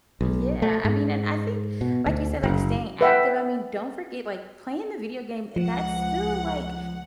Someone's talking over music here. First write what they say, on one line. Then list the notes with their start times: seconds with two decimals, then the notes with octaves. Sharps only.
Yeah. I mean, and I think, like you said, like, staying active, I mean, don't forget, like, playing the video game, that's still, like,
0.21 B1
0.62 A3
0.85 G#2
1.81 B2
2.06 D2
2.43 F#1
3.01 B4 E5 F#5 G5
5.56 C#2 F3 F#5